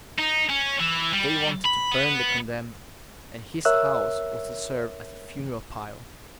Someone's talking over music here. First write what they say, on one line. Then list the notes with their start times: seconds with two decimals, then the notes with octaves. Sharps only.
They wanted to burn the condemned, and his house was to serve as a funeral pile.
0.19 D#4
0.49 C#4
0.80 E3
1.13 G3
1.65 B5
1.92 B3
3.65 A#4 C#5 E5 E6 F#6